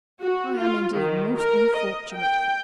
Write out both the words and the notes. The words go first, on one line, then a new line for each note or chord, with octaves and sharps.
I am indeed most unfortunate.'
F#4
F4
D#3
A#4
D#5
G5